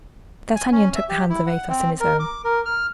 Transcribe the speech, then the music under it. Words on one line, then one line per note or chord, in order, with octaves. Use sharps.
D'Artagnan took the hands of Athos in his own.
G#5
C#4
E5
G4
E4
F#5
C4
A#4
D6
A#4
F6